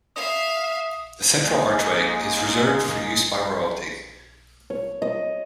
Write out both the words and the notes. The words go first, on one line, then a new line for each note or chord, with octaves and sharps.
The central archway is reserved for use by royalty.
E5 F5 D#6 C7
G#3 A#3 D#4 G#4
C#5
D#5